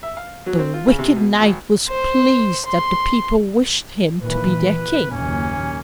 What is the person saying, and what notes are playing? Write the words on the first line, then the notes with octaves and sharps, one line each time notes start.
The wicked knight was pleased that the people wished him to be their king.
E5
F5
F#3
C4
F4
C#3
C3
B2
G#1
C5
C6
A#2 D#3 E3 B4
E3
F#1 D#2 A#2 A#3 C#4 G#5